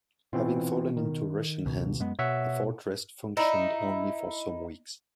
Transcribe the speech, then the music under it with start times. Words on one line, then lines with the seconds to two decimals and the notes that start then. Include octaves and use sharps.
Having fallen into Russian hands, the fortress functioned only for some weeks.
0.33 B2 E3 C4 F4
0.97 D#3
1.66 C#2 B2
2.00 F#2 G#3 B3
2.19 B2 C#5 E5 F#5
3.37 D#4 E4